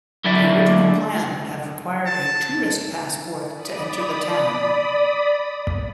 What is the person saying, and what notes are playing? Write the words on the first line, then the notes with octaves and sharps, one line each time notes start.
The original plan would have required a "tourist passport" to enter the town.
D3 F#3 E4 D5 E5
A5
D5 B5 D#6